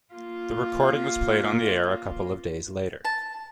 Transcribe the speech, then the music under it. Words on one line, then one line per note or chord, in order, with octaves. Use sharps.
The recording was played on the air a couple of days later.
A#3 F4
A5